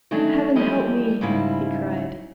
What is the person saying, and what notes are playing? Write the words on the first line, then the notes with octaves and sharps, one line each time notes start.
"Heaven help me!" he cried.
D#3 E3 F#3 A3 C#4 D4
E3 F3 G3 E4 D#5
G#2 C#3 G3 E4 F5